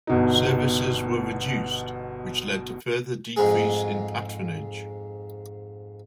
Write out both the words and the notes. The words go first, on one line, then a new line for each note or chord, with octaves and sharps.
Services were reduced, which led to further decrease in patronage.
G1 B2 D#4
F2 G#2 G#3 G#4